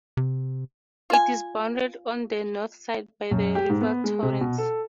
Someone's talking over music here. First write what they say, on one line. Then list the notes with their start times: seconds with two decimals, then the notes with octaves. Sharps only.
It is bounded on the north side by the River Torrens.
0.17 C3
1.10 F4 G#5
3.31 F#2
3.55 G4
3.69 G#2
3.81 B3
4.04 G#3
4.22 C3
4.41 B2
4.58 A4